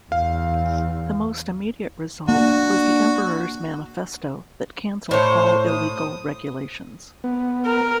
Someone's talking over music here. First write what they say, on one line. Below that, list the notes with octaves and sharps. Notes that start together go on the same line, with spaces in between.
The most immediate result was the Emperor's manifesto that cancelled all illegal regulations.
E2 F5
A#3 D4 F#4
A2 C5 C#5
D#6
B3
A#4